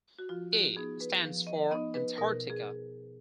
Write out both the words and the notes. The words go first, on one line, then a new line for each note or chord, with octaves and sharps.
'A' stands for Antarctica.
F#4
F3 F4
F#4
B3 D#4 G#4
B4
F3
D#5
B3 D#4 D#5
B4
B2 A#4
G#4